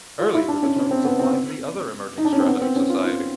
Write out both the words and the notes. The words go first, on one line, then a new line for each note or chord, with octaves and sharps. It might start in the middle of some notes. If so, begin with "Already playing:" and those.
Earlier the term was applied to other emerging strata of the society.
F4
E4
D4
C#4
C#4
C4
B3
C4
D#4
D4
C#4
C4
B3
C4
C#4
F4
F4